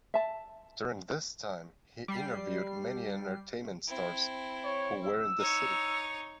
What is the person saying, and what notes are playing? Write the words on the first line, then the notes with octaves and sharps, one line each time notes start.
During this time, he interviewed many entertainment stars who were in the city.
E5 A5
G3 C7
C4 E4
C#5
E6
D#4 C#5